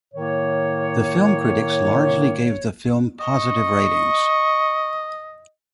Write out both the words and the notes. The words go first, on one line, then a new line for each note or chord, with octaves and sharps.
The film critics largely gave the film positive ratings.
A2 D#3 A#3 C#5
D#5 C#6